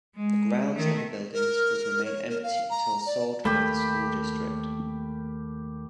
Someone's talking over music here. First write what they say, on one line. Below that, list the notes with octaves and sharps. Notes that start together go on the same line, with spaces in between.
The grounds and the buildings would remain empty until sold by the school district.
G#3
D#3 A3
A#4
C#5
A#4
F5
A#5
D5
D#2 A3 A#3 G4 B5